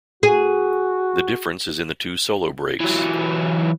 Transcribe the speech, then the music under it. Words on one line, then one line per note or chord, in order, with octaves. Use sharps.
The difference is in the two solo breaks.
F#4 G#4
E3 F#3